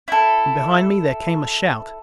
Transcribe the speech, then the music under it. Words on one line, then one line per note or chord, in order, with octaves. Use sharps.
From behind me there came a shout.
E4 A4